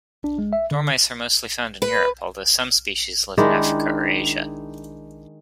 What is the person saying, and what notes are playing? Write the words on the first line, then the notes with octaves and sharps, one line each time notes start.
Dormice are mostly found in Europe, although some species live in Africa or Asia.
D4
G#3
E5
D3
B4
D#3 G#3 D4 E4